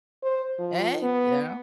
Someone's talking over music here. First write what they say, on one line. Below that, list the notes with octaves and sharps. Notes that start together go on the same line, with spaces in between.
Hey, yeah.
C5
F3
B3